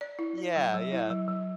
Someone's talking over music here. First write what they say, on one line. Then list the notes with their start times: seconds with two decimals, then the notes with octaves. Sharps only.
Yeah, yeah.
0.01 D5
0.19 E4
0.38 D5
0.56 F#3
0.74 F#3
0.92 E4
1.10 F#3
1.28 F#3